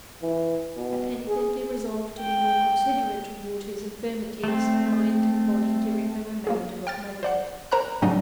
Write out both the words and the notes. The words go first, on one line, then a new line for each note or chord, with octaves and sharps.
I penitently resolved to be more considerate toward his infirmities of mind and body during the remainder of my visit.
E3
B2
G#4
G5
A3 C4
A#3 F4 G#4
G5 F6 A6
C5 D5 F#5
A#4 C5 A#5 B5 F#6
G#2 C#3 F#3 G3 D4 D#4